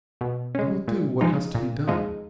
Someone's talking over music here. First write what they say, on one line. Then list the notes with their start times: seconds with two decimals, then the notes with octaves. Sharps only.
"I will do what has to be done."
0.21 B2
0.55 G#3 C#4
0.88 A#2
1.21 F3 G#3 D#4
1.55 A#2
1.88 F3 G#3 D#4